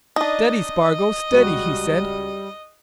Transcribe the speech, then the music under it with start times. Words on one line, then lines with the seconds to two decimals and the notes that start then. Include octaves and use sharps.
"Steady, Spargo, steady!" he said.
0.16 D4 D#4 D#5
1.31 C#2 G3 F#4 D#7